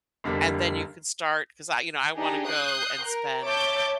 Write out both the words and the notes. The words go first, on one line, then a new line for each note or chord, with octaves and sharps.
and then you can start" 'Cause I you know, I wanna go and spend
F1 F2 D3 G3 A#3 B6
D4 D#4 G4 G#4
D#6 F#6 G6 C7
A#4
C#5 E5 A5 D6 G6